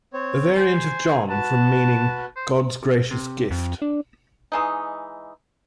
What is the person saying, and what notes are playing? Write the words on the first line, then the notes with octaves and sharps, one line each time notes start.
A variant of Jon from meaning "God's gracious gift".
C4 C#5
C5 G#5
F#4 B4 A5
C5
C3
F2
D4
E3 G#3 D#4